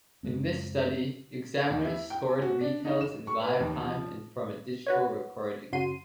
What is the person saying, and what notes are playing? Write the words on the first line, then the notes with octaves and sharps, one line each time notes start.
In this study, examiners scored retells in live time and from a digital recording.
F#2 C#3 G#3 C4
D#2
E4
G5
G#5
F#4
D4
D#4
E7
C#6
B4
D#2
F3
F#4 B4 C#5
F#2 C#3 F#3 C6 D#7